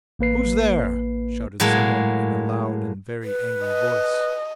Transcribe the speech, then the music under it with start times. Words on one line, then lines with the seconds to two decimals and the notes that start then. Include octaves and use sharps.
"Who's there?" shouted some one in a loud and very angry voice.
0.19 A1 A#3 B4 C7
1.60 A2 F#3 G#3 A#3
3.23 B4
3.64 D#5